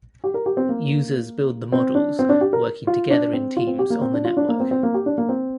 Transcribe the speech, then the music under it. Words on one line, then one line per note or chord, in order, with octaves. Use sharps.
Users build the models working together in teams on the network.
G4
A#4
G4
C4
A#3
C4
D4
C4
D4
G4
A#4
F4
D4
C4
F4
C4
G4
A#3
C4
D4
F4
D4
A#3
C4
C4
A#3
G4
D4
A#3
C4